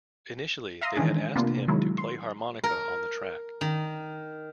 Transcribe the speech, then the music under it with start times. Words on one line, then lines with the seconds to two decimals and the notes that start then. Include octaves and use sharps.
Initially they had asked him to play harmonica on the track.
0.81 E5 F5 A#5 C6 D#6
0.96 D#3 E3 G#3 C#4 D4 G#4
1.35 C3 A#3 B3 D4 F4
1.68 D#3 F#3 G#3 E4
1.98 C6
2.64 A#4
3.61 D#3